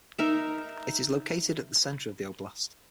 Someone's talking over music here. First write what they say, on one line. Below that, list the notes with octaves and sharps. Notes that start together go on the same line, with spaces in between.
It is located in the center of the oblast.
D#4 A#4 E5